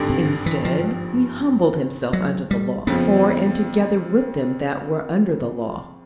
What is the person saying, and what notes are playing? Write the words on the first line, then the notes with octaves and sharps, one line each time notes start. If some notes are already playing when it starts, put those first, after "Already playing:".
Instead, He humbled Himself under the Law for and together with them that were under the Law.
Already playing: G#1 G2 D3
C3
E3
F3
F#3
G3
F2 C#3 F3 B3